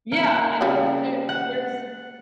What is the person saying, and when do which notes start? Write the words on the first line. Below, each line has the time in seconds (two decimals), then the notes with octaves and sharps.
yeah, I think there there's
0.12 A#3
0.61 C#3 G3
1.29 F#5